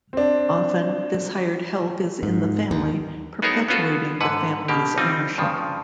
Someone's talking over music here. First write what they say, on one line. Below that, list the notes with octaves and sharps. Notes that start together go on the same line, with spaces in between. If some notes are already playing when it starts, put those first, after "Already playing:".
Often, this hired help is in the family, perpetuating the family's ownership.
C4 D4
G#2
D#2
B3 D#4 F#4 G#4 A#4 C#5
B3 C#4 F4 F#4 A4
G#2 D3 B4 F#5
B2 A#3 G4
G3 C4 D#4 F4
G2 C#3 F3